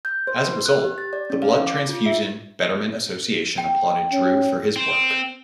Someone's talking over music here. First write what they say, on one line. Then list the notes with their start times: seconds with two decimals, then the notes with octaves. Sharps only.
As a result, the Blood Transfusion Betterment Association applauded Drew for his work.
0.05 G6
0.27 C5
0.46 B4
0.66 F#6
0.84 G4
0.98 A6
1.13 D5
1.30 C#4
1.42 F5
1.67 D6
1.89 F4
2.06 E5
3.58 G5
4.11 C#4
4.76 C4